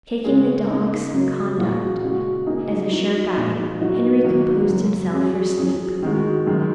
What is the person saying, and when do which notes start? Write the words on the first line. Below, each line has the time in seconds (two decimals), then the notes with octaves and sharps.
Taking the dog's conduct as a sure guide, Henry composed himself for sleep.
0.24 C#3 G#3 C#4 G#4
0.69 C#3 A#3 D#4 G#4
1.13 C#3 F#3 C#4
1.58 A#2 G#3 F#4
2.02 C#3 G#3 F#4
2.46 C#3 A#3 D#4 G#4
2.91 F#3 D#4 F#4
3.35 A#2 G#3 D#4 G#4
3.80 F#3 D#4 F#4
4.24 D#3 F#3 A#3 F#4
4.69 F#2 C#3 F#3
5.14 F#3 C#4 G#4
5.58 F#3 C#4 G#4
6.03 D#3 G#3 F#4
6.47 F#2 D#3 G#3